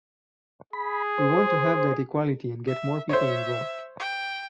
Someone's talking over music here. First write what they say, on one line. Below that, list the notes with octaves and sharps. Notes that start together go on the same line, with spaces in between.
We want to have that equality and get more people involved.
G#4 B5
C5
E5
C5 C#5 E5
G5